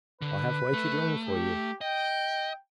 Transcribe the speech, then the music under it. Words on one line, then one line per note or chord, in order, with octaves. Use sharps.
I have waited long for you.
D3 B4
A3
G4
D#5 G5